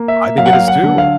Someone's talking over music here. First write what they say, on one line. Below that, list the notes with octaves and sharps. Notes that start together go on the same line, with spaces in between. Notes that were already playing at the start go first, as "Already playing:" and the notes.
I think it is too.
Already playing: A#3
E5
F#3 F5
F#5
F5
F#5
D3
F5